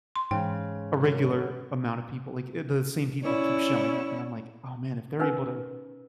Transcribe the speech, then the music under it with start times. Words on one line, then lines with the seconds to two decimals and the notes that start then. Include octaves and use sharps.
a regular amount of people, like, i the same people keep showing up, and I'm like, "Oh, man. If they're able to
0.16 C6
0.31 G#2 C#3 E3 G5
1.03 F#2
3.21 C#4 E4 C#5 D5
5.20 C#4 D#4 A#4 B4